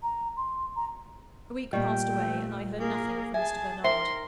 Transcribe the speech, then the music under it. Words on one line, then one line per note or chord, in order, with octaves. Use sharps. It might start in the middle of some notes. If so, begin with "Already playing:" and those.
A week passed away, and I heard nothing from Mr. Bernard.
A#5
C6
A#5
A#2 G3 G4 D#5 G5
A3
A#3 G#4 A#4
G#4 E5 G#5 A5
D#4 A#4 C5 E5 G5 C6